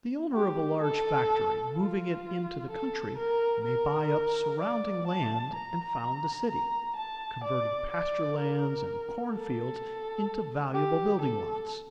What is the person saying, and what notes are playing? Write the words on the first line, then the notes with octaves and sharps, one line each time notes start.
The owner of a large factory, moving it into the country, may buy up surrounding land and found a city, converting pasture lands and corn-fields into valuable building lots.
G4
A4
F4
A4
A#4
A#4
D5
A5
A#5
A#5
A5
D5
D5
A#4
A4
G4
A4